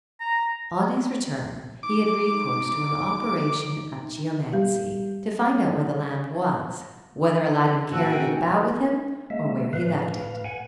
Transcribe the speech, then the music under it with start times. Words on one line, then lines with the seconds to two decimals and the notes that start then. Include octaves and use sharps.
On his return he had recourse to an operation of geomancy to find out where the lamp was--whether Aladdin carried it about with him, or where he left it.
0.20 A#5
1.83 D#4 D6
4.53 G3 G4
7.91 A2 D#3 A#3 F#4 A5 E6 F#6
8.08 D#4 G5 G#5
9.30 G#3 A#3 E5
9.73 A2 B4 F5
10.44 F#5 G#5